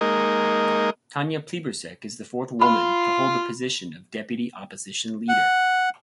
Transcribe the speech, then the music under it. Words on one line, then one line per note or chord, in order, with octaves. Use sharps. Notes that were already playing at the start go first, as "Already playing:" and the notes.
Tanya Plibersek is the fourth woman to hold the position of Deputy Opposition Leader.
G#3 A#3 D#4 A#4 D#5
F4 B5 C6
F#5